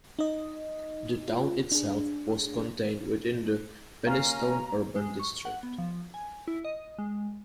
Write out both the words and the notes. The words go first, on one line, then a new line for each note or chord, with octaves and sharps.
The town itself was contained within the "Penistone Urban District".
D#4 D#5
F4
D4 G#4
A#3 C#4 F5 A#5
G#3
C#6
F#5
B3
F3
G#5
E4
D#5
G#3